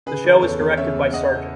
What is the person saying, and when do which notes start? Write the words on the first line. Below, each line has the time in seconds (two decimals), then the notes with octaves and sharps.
The show was directed by Sgt.
0.06 C#3 G#4 B4
0.24 E3
0.42 E2 A4 C#5
0.60 E2
0.77 C#3 C#5 E5
0.95 E2
1.13 E2 D#5 F#5
1.31 C#3